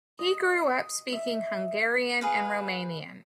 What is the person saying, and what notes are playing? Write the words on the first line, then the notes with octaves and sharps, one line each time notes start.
He grew up speaking Hungarian and Romanian.
D#5
E5
G#4 B4 F5